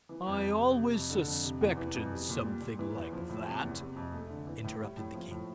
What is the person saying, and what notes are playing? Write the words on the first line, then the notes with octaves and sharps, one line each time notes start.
"I always suspected something like that," interrupted the king.
E3
F2
G3
C3
C3
F2
D3
F2
C3
E2
E3
F2
G3
A#2
G3
A#2
E3
E2
F3
A2
C3
E2
C3
F2
A3
D3
E3
A2
G3
A2
F3
A2